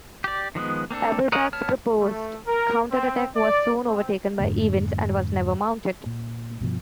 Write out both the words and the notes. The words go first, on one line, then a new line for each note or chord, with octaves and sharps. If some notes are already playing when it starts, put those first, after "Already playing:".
Eberbach's proposed counter-attack was soon overtaken by events, and was never mounted.
G4 D5
D#3 F3 G#3 B3
A#3 C4 D4 A4
A#4 C#5 D#5 F#5
B3 C#5 A5 F6
A3
A#4
C4
D5
C4
F2 G#2 D3 A#3
A#2
G2 B2 F3